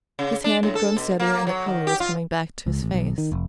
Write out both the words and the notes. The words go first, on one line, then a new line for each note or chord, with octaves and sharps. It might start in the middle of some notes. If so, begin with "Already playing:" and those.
His hand had grown steadier, and the colour was coming back to his face.
C#3
D4
A2
A4
B2
A#3
F#3
D#3
G4
F4
C#2
A1
B1
D#3
F1